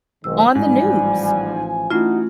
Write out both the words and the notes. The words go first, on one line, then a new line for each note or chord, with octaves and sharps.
on the news.
B1 F2 G#2 D#3 E6
A1 G#2 F3 G3 G#5
E3 A3 C#4 D#4 F4 F#4